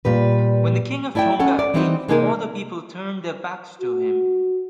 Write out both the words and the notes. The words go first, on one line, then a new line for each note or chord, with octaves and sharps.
When the king of Tonga ate, all the people turned their backs to him.
A#2 G3 B4
A3 E4 D5 E5 G5
C#4 A4 F#5
D5
E3 G3 G#3 C4 D4 D#4
C3 G#3 A#3 D#4 G#4 A#4
F#4